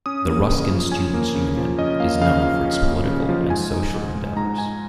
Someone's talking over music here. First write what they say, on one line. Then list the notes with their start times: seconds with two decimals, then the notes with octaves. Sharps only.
The Ruskin Students Union is known for its political and social endeavours.
0.06 C#4 D#6
0.27 A#3
0.49 C#3
0.70 F3
0.92 C#4 G#5
1.14 A#3
1.35 C#3
1.57 F3
1.79 C#4 D#5
2.00 A#3 F5
2.21 C#3 F5
2.43 F3 F5
2.64 C#4
2.86 A#3
3.07 C#3
3.29 F3
3.50 G#2 G#5
3.73 D#4
3.94 G#2
4.15 G#3
4.36 G#2 A#5
4.58 D#4 G#5